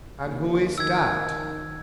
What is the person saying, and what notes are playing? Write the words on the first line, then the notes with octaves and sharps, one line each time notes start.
And who is that?
D#2
D#3 E6 G#6